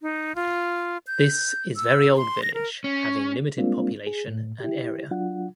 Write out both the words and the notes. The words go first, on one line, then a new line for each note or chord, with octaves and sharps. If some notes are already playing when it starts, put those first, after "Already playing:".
This is very old village having limited population and area.
D#4
F4
G6
E6
C6
A#6
A#4
C#4
G3 G#3 A#3 C4 D4 F4
G#4
A2
E4 G4
F#3 D4 F4 F#5